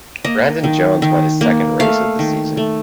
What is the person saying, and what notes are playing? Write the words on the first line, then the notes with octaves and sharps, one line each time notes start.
Brandon Jones won his second race of the season.
A#3 D#5
D#3
D#3
A#3
A3 F5
D#3
A3